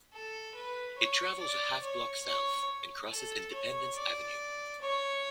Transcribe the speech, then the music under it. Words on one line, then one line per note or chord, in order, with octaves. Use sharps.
It travels a half block south, and crosses Independence Avenue.
A4
B4
C#5
D5
C#5
C#5
A4
C#5
D5
C#5